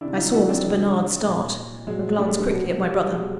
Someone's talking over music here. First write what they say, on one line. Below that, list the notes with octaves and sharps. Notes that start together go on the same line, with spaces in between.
I saw Mr. Bernard start, and glance quickly at my brother.
C3 D#3 D4 E4
D#4 F4
E4 F#4
C4 D4
C3 D#3 F#3 G#3
A#2
A#2 F#3 G#3
G3 A3
G#3
G3
B2 F#3
G3
B2 F#3 G#3